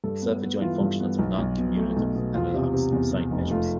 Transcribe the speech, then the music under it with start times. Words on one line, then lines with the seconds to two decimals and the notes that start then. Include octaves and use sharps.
Self-adjoint functionals are noncommutative analogues of signed measures.
0.04 G2 A4
0.22 B3
0.42 B3
0.61 E3 F4
0.80 G2
1.00 B3
1.19 B1
1.38 B1
1.58 B2
1.77 A3
1.96 B1
2.15 B2
2.34 E2 F4
2.54 C3
2.73 C3
2.92 E2
3.11 C3
3.31 F1
3.50 A3 F4